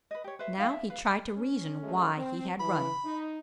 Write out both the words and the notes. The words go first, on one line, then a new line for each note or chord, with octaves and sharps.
Now he tried to reason why he had run.
B4 D#5
G4 C#5
B4 C5 E5
D#4 F5 G5
E5
B4 F5
C#4
F#3 G#3 A3
C4
E3 B5
D#4